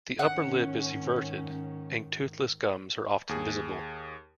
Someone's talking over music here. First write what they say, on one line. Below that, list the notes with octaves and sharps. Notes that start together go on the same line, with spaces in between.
The upper lip is everted and toothless gums are often visible.
G#2 D#3 C#4 F#5
D#2 G#4